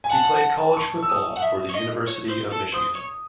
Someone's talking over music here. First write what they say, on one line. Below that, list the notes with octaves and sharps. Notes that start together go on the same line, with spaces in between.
He played college football for the University of Michigan.
G#5
F#5 A5
C#6
E6
D#6
F#5
E5
C#5
D#5
C#5
C5
A4
C5 D#6
C#5